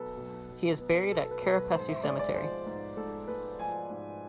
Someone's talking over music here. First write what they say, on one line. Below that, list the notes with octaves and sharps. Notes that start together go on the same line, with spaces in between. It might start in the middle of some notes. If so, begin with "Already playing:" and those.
He is buried at Kerepesi Cemetery.
Already playing: B1 B2 B3 A4 B4
B1
B1
B3
B2 A4
B4
B1
B4
G#2 C5
E5
G#3 D5
D5
F3 C5
G#2
G#2 A4
G#3 B4
F3 G#5
G#2